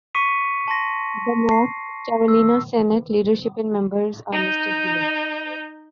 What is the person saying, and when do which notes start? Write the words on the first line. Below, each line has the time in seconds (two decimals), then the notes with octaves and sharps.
The North Carolina Senate leadership and members are listed below.
0.15 C#6 D6 B6 C#7 D#7
0.68 A5 C6 A#6
1.51 C7
2.28 E6
4.32 D#4 G6